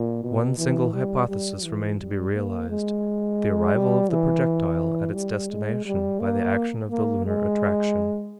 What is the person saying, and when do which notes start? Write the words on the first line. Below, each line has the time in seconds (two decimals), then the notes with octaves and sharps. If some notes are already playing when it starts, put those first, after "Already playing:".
One single hypothesis remained to be realized, the arrival of the projectile at its destination by the action of the lunar attraction.
Already playing: A#2
0.23 B2
0.58 E3
0.93 G3
1.28 G3
1.64 E3
1.99 G3
2.34 A#3
2.69 G#3
3.74 G3
4.10 E3
5.14 G3
5.50 G#3
5.85 G3
6.20 A#3
6.90 A#3
7.25 G#3